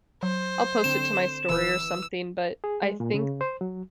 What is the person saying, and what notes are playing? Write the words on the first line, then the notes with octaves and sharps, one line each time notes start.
I'll post it to my story or something but, I think
F#3 C5
D3 C4 E7
D#1 E3 B4 E6
G#4
G#3
A#2
C#3
C5
F#3